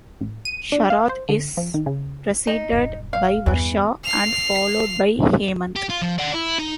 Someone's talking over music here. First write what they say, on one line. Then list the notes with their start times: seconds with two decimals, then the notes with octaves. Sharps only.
Sharad is preceded by Varsha and followed by Hemant.
0.21 A1
0.45 D#7
0.72 D4
0.90 F5
1.09 C5
1.29 D3
1.57 F3
1.74 D#3
1.86 C#3
2.47 D#4
2.72 D#1 F#2
3.13 F5
3.46 E2 G2 E3
4.04 C7 F7
5.76 G4
5.90 F4
6.02 F3
6.19 D5 F#5
6.34 E4
6.59 D#4